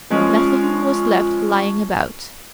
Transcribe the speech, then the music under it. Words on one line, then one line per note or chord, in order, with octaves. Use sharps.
Nothing was left lying about.
F3 G#3 C#4 F4